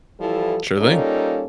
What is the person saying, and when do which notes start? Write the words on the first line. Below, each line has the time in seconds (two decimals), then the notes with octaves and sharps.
Sure thing.
0.20 E3 F3 G3 E4 A4
0.78 G3 A#3 C#4 D#4 F4 A4